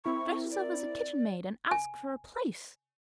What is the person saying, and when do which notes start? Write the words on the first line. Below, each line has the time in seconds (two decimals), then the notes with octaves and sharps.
'Dress yourself as a kitchen-maid and ask for a place.
0.05 C4 E4 A#4 C#6
0.51 D5
1.71 G#5